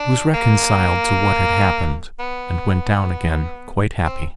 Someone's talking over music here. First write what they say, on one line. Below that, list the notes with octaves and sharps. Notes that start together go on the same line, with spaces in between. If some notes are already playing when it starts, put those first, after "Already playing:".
He was reconciled to what had happened, and went down again quite happy.
Already playing: D4
A#3
B3
C4